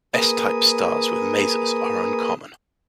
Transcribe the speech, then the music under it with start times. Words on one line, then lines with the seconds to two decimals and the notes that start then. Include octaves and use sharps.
S-type stars with masers are uncommon.
0.14 A#3 G#4 A#4 B4 D#6